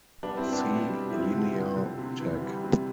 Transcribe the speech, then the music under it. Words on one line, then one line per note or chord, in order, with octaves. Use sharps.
See Linear Tech.
G3 B3 D4
C4 E4
G3
B3 D4
B2
G3
F3 C4 E4
D3
D3
D3
C3
E3
G3
C3